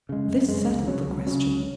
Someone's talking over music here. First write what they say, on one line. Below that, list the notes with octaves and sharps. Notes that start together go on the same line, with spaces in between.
This settled the question.
C#3 G#3
F#2
C#3 G#3
C#2
C#3 F#3 C#4
C#2
C#3 F#3 C#4
C#2